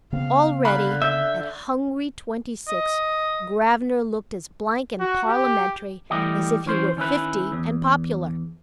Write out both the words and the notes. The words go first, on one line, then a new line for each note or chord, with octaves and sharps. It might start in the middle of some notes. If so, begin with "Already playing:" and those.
Already, at hungry twenty-six, Gravener looked as blank and parliamentary as if he were fifty and popular.
C#3 B3 C4 F5
D3 F5 B5 F#6
E5 G6
D#5
F#4
G4
E3 G3 A3 G4 D#5
E3 C#4 C5
D#3 C#4 E4 B4
E2